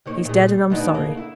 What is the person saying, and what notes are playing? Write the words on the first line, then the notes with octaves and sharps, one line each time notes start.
He's dead, and I'm sorry.
D#3 A#3 C#5
A#2 G#4
G3
D2 B2 D#4
C#3 A#3
E4